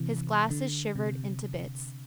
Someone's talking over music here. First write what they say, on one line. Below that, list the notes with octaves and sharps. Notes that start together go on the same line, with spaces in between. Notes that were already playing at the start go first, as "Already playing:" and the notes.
His glasses shivered into bits.
Already playing: C3 E3
D3
C3